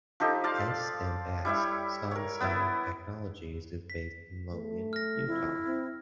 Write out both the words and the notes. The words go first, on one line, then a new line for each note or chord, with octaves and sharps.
S and S - Sansei Technologies is based in Logan, Utah.
F3 D#4 G4 A4
D5 F5 A5 C6
G3 E4 C#5 E5
A#4 C#5
B3 E4
B6
A3
F6 A#6
F2 E4
C4